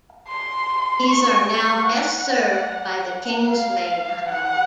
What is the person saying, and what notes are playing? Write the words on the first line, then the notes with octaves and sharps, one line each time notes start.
These are now best served by the Kingsway tunnel.
C6
C#6
C#6
F#5
F5
F#5